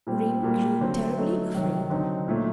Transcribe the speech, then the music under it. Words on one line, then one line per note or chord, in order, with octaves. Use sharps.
Ring grew terribly afraid.
A#2 G3 C4
A#2 G3 A#3 F#4
D3 F#3 C4
F#3 A3 D#4 A4
C3 D#3 F#3
D3 F#3 C4 D#4
A#2 F#3 A3 D#4